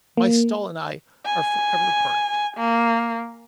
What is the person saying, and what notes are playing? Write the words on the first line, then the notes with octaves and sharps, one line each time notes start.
My stall and I are for ever parted.
A#3
G#5
A#3